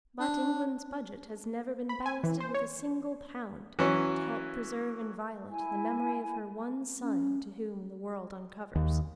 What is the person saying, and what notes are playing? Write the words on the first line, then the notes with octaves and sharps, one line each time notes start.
But England's Budget has never been ballasted with a single pound to help preserve inviolate the memory of her one son to whom the world uncovers.
D4
B5
G#5
E3
C5
C#5
E3 F#3 C#4
E4 G#5
C#4
D#2